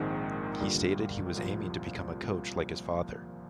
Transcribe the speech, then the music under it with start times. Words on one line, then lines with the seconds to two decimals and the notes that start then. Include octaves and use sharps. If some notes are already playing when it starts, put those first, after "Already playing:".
He stated he was aiming to become a coach like his father.
Already playing: A#1 G#2 D#3 G#3 C4
0.60 G2 D3 G3 A#3 F4
1.36 C2 A#2 F3